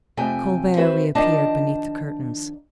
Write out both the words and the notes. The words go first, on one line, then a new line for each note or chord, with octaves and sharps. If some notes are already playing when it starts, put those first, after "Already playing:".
Colbert reappeared beneath the curtains.
F2 C3 A3 G5 G#5
C4 F#4 B4 C5 E5
D#3 F3 D4 D#5 G5 A5